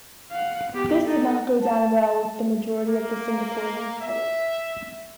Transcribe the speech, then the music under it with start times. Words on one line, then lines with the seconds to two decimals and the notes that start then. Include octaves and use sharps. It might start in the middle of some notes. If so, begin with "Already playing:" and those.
This did not go down well with the majority of the Singaporean public.
0.31 F5 F#5
0.72 B3 G4
1.05 D#4 A4
1.62 A5
2.87 A#3
4.01 E5